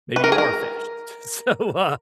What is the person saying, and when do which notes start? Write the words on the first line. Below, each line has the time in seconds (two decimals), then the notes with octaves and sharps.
Maybe you are a fascist." So, uh,
0.16 B4
0.24 A#4
0.32 G#4
0.38 A#4